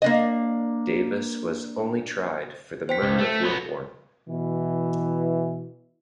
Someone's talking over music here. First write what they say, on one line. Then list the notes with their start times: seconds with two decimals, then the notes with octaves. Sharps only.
Davis was only tried for the murder of Wilborn.
0.02 A#3 D4 D#5
2.89 C5 G5 B6
3.02 C#2
3.19 A3
3.33 B6
3.45 F#3 B3
4.28 B2 E3